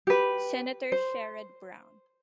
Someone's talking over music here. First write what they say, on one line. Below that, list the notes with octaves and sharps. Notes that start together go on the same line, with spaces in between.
Senator Sherrod Brown.
G4 B4
C5